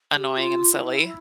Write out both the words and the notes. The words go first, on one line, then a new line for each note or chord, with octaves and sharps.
annoying and silly,
G#4
G4
F4
E4